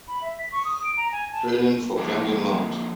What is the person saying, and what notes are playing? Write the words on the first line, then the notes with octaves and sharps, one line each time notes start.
Training for climbing Mt.
B5
E5
B6
C#6
D#6
D7
A#5
G#5
A5
D3 F3 G#3 A#3